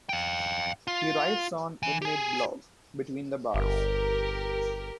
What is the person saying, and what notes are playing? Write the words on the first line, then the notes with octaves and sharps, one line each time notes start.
He writes on inmate blog "Between the Bars".
F5 G5
F4
E3
G4 G#4
G1 G4 A#4